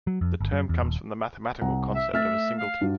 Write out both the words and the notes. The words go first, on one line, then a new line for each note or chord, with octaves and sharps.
The term comes from the mathematical concept of a singleton.
F#3
F2
G1
F#2
E2
D#1
C2 F#5 A#5
E5
A3 E5 F6 A6
F5
G2 F#4